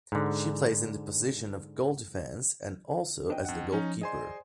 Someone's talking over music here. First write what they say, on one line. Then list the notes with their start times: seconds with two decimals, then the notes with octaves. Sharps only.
She plays in the position of goal defense and also as the goal keeper.
0.12 G#2 D3
3.30 D4 D#5 G5
3.45 F2 F#5
3.72 F3 C#4 D#4
4.01 G#4 C5 D5 D#5 G#5 C6